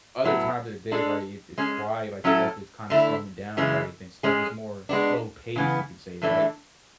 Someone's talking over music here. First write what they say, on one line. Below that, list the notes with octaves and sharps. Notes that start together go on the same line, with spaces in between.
other times of the day, right, it's it's quiet, like, stuff is kinda slowing down, right? I think stuff is more slow-paced, you could say, right?
A2 F#3 B3 E4
G#3 D4 A4
G#3 C#4 G#4
A2 F#3 C#4 E4 A4
D3 A3 E4
C#3 E3 G#3
G#3 C#4 G#4
G#3 B3 D4
C#3 E3 B3
A2 E3 A3 D4